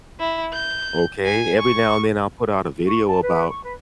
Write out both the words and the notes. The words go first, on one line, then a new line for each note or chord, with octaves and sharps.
Okay? Every now and then, I'll put out a video about
E4
G6
G#5
C#6
C#6
A5
B4
C#6
B4